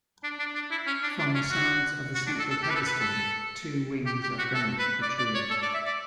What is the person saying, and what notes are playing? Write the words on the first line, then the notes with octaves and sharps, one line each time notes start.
From the sides of the central pedestal, two wings of granite protrude.
D4
D4
D4
E4
C#4
D4
D4
C#4
F#4
F#4
D4
A4
A4
G4
B4
A4
B4
A4
G4
G4
F#4
A4
B4
D5
D5
C#5
A4
D5
E5
D5